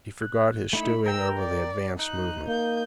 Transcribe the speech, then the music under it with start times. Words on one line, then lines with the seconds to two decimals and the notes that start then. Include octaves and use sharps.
He forgot his stewing over the advance movement.
0.22 F#6
0.73 A3 D#4 E4 B5
1.06 A#4 G5 A#5 E6
1.39 D5
1.99 D#4 F#6
2.47 A#3 G6